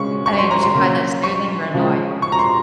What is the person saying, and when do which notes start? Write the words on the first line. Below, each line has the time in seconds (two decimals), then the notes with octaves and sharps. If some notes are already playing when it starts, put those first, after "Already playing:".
I mean, would you find that soothing or annoying?
Already playing: C#3 G#3 C#4 C#6
0.26 C#6
0.38 C6
0.51 A#5
0.63 C6
0.75 C#3 F#3 A#3 C#4
1.23 C#6
1.74 C#3 F3 G#3
2.22 C#6
2.32 A#5
2.39 C6